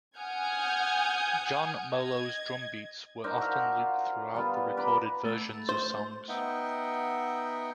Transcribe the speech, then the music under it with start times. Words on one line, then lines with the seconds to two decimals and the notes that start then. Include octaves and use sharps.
John Molo's drumbeats were often looped throughout the recorded versions of songs.
0.18 F#5 G#5 D#6 F6 G6 G#6
1.92 D#5 G#6
3.24 D4 D#4 A#4 C5
3.38 F#4 E5 F5
3.78 F4
4.34 G3 B3 F4
4.77 B4 D5 A#5 B5
5.25 A3 A6
5.69 C5
6.29 B3 D#4 D#5 E5 F#5 G5